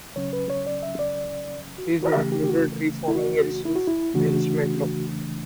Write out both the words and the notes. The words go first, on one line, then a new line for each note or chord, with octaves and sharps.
These included reforming resource management law.
C#3 F#3 C#4 C#5
B4
C#5
D5
E5
D5
F#4
F#4
C#3 E3 A3 C#4 G4
G4
G4
F#4
E4
F#4
E4
F#4
E4
C#3 E3 A3 D4 F#4